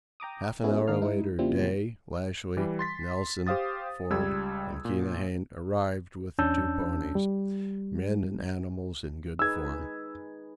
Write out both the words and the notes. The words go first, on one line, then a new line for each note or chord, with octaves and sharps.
Half an hour later Day, Lashly, Nelson, Forde, and Keohane arrived with the two ponies--men and animals in good form.
G5 A#5 D6 D#6
G#3 B3 C#4 E4 F#4 G#4
D#2 D4 A#4 F5 F6
G#2 D#4 E4
A#2 C#3 F3 G3 C4 E4
E3 G3
C6 A6 B6
G4 C5 F5 D#6 A6
C#2 G3 E6 G#6
A#2
E2 C#4 D4 A5 E6 G6
G3
D#4 G#4 B4 E6 G#6